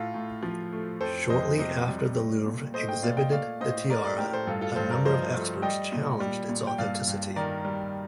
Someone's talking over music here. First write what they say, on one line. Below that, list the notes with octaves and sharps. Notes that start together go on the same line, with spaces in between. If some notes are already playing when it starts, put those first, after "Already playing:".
Shortly after the Louvre exhibited the tiara, a number of experts challenged its authenticity.
Already playing: A2 F4 A4
A2
F3
A3
F2 A4 C5
F2 C5 D#5
C3 C5 D#5
G3
A3
A#2
A3 C5 D#5
D#5 G5
A#2 D5 F5
D#5 G5
A3 D5 F5
A2 C5 D#5
A3 A#4 D5
A#4 D5
A2 G4 A#4
A4 C5
G2 F4 A4
F4 A4
G2 A4 C5
A#4 D5
F3 C5 D#5
A3
G3 D#5 G5
A#2
G3
A#2
G5
G2 D5 F5
G2
D#3 A#4 D5
G3